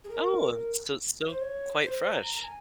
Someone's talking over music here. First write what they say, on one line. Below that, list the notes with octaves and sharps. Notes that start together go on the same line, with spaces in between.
Oh, so still quite fresh.
G#4
A#4
C5
C#5
C5
A#5
A#5
G#5